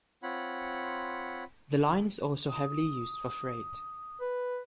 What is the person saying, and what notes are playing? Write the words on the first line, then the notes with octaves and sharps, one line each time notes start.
The line is also heavily used for freight.
C4 F4 C#5 F#5 B5
D#6
B4